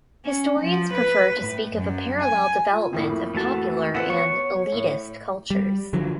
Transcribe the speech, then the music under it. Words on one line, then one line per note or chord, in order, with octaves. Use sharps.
Historians prefer to speak of a parallel development of popular and "elitist" cultures.
C#4
F3
B4
A2
F#2
G#5
F4
F2 A2 A#3 E4
E3 A3 F#4 A5
E3 B3 F4 A4 B4 C5 F#5
B3 B4 C#5 C#6
A2
G3
D3 F3 F#3